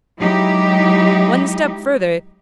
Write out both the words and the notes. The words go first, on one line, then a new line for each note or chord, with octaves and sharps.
'One step further....
F#3 G#3 D#4 E4 G4